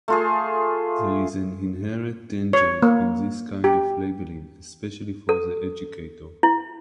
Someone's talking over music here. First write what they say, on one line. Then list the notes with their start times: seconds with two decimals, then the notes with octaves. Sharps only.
There is an inherent danger in this kind of labeling especially for the educator.
0.08 A3 F4 G#4
2.53 C#5
2.82 A#3
3.64 G4
5.29 A4
6.43 E4